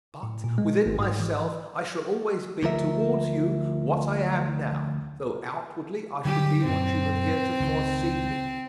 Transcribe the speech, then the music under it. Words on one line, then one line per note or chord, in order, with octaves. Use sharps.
But, within myself, I shall always be, towards you, what I am now, though outwardly I shall be what you have heretofore seen me.
A2
A#2
G#3
G#1
G#2
E3
D2 F3 A#4 E5
D3 F#3 G3 G4
F#2 A#2 C4
C#2 D#3